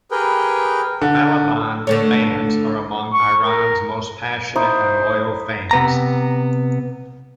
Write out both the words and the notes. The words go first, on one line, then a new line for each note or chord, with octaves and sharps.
Malavan fans are among Iran's most passionate and loyal fans.
G4 G#4 A#4 B4 G5
D3
D3 A3 C#5
C#6
A#4
D#4 E4 C5 D6
C3 B3 A#5